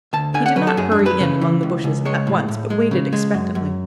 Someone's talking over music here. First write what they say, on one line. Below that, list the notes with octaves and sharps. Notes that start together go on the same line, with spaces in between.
He did not hurry in among the bushes at once but waited expectantly.
D2 A5
D3 G#5
F#5
F#3 B4
A4
F#2 G#4
D4
F#2
B4
C#3
E3
C#2
C#2
G#3 C#5
A2
A2
G#3
C#3
G#3
F#2
F#2